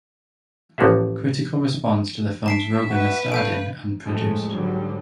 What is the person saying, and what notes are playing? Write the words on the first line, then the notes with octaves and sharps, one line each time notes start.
Critical response to the films Rogen has starred in and produced.
A1 F3 A#3 F#4 G#4 E5
E5 A5 C7 D7
F#4 B4
A3 F5 G6 D7
F2 A2 G#3 A3
G#2 D3 F#3 G3